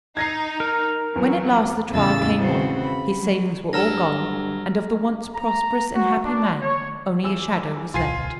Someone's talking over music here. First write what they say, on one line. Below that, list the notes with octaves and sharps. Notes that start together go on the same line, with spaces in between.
When at last the trial came on, his savings were all gone, and of the once prosperous and happy man only a shadow was left.
D#4 G#6 A#6 C7
A#4
E2 F#3
E2 A2 C#3 D#5 E6 A6
C#3 E3 C4 F#4
B5
F#3
G2 F#3 A4 A#5 F6 A#6
A#5
F#4
D4
C#5
E2 E6 E7
D1 B1 F4 G#5 C6 C7